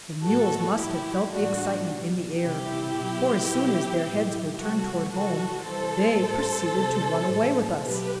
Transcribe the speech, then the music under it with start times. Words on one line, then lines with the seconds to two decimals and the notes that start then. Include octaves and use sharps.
The mules must have felt the excitement in the air, for as soon as their heads were turned toward home they proceeded to run away with us.
0.24 A2 F#3 F#4 A4
0.77 A2 F#3 E4 G4
1.32 A2 E3 G3 D4 F#4
1.87 B2 G3
2.40 C3 G3 E4 G4
2.94 B2 F#3
3.49 B2 F#3
4.03 A2 F#3
4.57 C3 G3 F#4 A4
5.11 C3 E3 G3 F#4 A4
5.65 C3 E3 G3 A4 C5
6.19 A2 G3
6.73 C3 G3
7.28 A2 E3 G3
7.82 B2 F#3 G4 B4